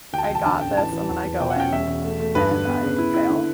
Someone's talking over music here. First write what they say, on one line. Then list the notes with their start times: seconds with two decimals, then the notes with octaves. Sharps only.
I got this," and then I go in, and I fail,
0.13 D2 G5
0.18 A5
0.24 G5
0.30 E1
0.35 A5
0.46 D3 A5
0.61 A1 G5
0.77 E3 A5
0.92 E3
1.09 E2
1.24 E2
1.40 B2 G5
1.50 F#5
1.56 C#4 G5
1.73 E1 E5
1.87 E1
2.04 A3
2.20 A3
2.35 G2 B4
2.51 D3
2.67 B3
2.82 C#3
2.98 E4
3.14 E4
3.30 D3